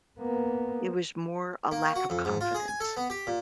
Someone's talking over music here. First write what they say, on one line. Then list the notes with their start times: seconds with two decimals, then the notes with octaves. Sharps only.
It was more a lack of confidence.
0.19 A#3 B3
1.72 A#3
1.96 F#4
2.10 F2
2.25 G#2
2.41 F4
2.55 G#4
2.68 G#5
2.80 A4
2.97 B3
3.10 G4
3.27 A#2